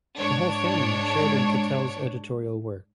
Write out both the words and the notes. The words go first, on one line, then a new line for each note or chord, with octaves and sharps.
The whole family shared in Cattell's editorial work.
G#2 D4 C#5